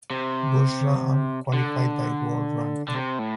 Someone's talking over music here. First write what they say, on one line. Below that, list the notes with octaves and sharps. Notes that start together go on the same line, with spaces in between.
Busra Un qualified by world ranking.
C3
D3
D3
C3
A2